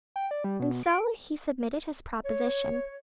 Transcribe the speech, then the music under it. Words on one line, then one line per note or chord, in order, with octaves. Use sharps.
And so he submitted his proposition.
G5
D5
G3
B2
D7
C#5